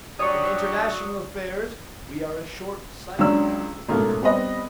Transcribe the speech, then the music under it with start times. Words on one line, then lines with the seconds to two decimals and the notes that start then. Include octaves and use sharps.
In international affairs we are a short-sighted people.
0.19 F#3 D4 F#4 G4 C#5 D5 C#6 D#6
3.18 C#2 F#3 D4 C#5 E6
3.89 A1 G#2 B2 A3 A#3
4.22 G3 B3 C4 B4 D#5